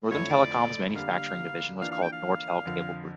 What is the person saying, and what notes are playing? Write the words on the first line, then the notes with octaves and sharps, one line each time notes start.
Northern Telecom's manufacturing division was called Nortel Cable Group.
F2 D3 F3 A3 E4 C#5
D5
D3 G3 A#3 D4 F5
E3 A#3 D4 F4 F5
F5
G5
F5
F2 D3 F3